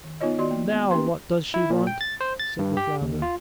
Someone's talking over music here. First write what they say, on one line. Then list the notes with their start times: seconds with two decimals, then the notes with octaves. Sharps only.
"Now, what does she want?" said the flounder.
0.04 D#3
0.21 B3 D#4 F4 C#5 D#5
0.38 D#3 B3 F#4 D5 D#5 C6
0.51 A#3
0.70 B3
0.91 A#3 C#4 G4 B4 C6
1.54 E4
1.70 A#2
1.87 G5
2.01 A6
2.21 C5
2.40 A6
2.59 G2
2.77 G4
3.02 D#2
3.22 F4